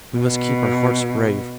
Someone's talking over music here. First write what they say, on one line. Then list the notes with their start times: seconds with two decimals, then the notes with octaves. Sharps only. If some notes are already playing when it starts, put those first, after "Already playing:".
We must keep our hearts brave.
0.16 B2